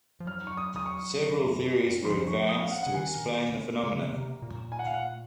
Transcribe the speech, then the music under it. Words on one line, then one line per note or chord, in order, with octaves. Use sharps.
Several theories were advanced to explain the phenomenon.
F3
F#3 F6
C#6
D#6
D#6
C#6
F3 C6
C#6
D#6
F5
F#5
C#3 F#5
D#3 G#5
C#3
C3
A#2
G#5
F#5
F5
F#5